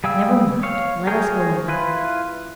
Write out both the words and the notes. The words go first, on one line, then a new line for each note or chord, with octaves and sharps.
"Never mind; let us go on."
G3 G#4 F5 G5 E6
C#5 F5
G#4 A#4 C#5 G5
E4 F4 B4